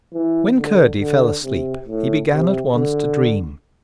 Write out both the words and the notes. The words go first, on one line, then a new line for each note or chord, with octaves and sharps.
When Curdie fell asleep he began at once to dream.
E3
D3
D3
C3
A2
C3
D3